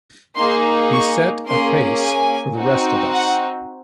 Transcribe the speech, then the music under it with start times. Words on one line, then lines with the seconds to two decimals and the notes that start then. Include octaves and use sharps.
He set a pace for the rest of us.
0.36 A#3 D#4 G#4 C6
0.92 C#6
1.46 A#3 C#4 G#4 C6
2.02 G#5
2.57 C4 D#4 F#4
3.12 F#5